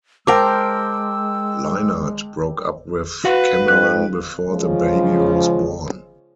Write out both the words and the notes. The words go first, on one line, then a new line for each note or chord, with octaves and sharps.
Leinart broke up with Cameron before the baby was born.
G#3 A#4 C5 G5 A5 D6 E6
F#4 B4 F5 F#5
F2 F#6
C#3 F3 G#3